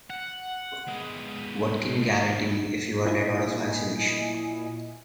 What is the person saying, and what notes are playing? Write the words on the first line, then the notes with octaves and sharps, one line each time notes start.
What can you guarantee me if you are let out of isolation?
F#5
G#3 B3
A#2 E4 D#5 G#5